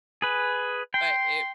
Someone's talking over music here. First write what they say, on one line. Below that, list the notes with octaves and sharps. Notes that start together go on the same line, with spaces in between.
But it
G#4 B4
G5 C6